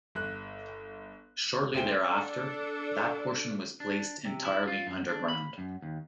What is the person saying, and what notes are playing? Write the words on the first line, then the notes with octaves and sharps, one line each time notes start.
Shortly thereafter, that portion was placed entirely underground.
G1 F#6
D2 G#4 C5 G5 D7 G7
D4 A4
D4
C3
E4
F4
F#2
D4
B5
F#2
D#2